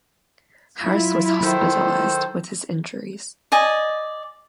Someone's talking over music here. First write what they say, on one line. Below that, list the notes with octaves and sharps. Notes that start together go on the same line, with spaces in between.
Harris was hospitalized with his injuries.
F#3 E4 F4
D#3 A4 C5
D5 D#5 G#5